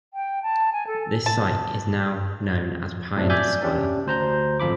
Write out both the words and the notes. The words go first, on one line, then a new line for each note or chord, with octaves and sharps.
This site is now known as Pioneer Square.
G5
A5
G#5
A4
A5
A2 C3 D4
D5 E5 G#5 G6 A6
C#4 D4 G4
D2 C5 A#5 G6
G#1 F2 F3 B5 D6